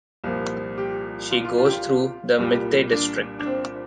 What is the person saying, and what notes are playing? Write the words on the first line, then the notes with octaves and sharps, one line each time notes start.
She goes through the Mitte district.
C2 A#2 F3
G4
F4
F4
F4
G4
F4
C2 A#2 G3
D4
D4
C4